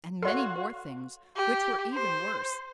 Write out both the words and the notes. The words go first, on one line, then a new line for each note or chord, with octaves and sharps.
And many more things which were even worse.
F#4 A4 C#5 F5 C6 C7
G4
C5